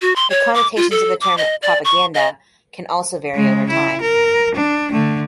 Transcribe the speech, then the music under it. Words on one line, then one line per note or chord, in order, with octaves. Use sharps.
The connotations of the term "propaganda" can also vary over time.
F#4
C6
C#5
D6
F4
A4
D6
D#5
D5
C#6
D#5
C#3 G#3
E4
A#4
D4
D3 A3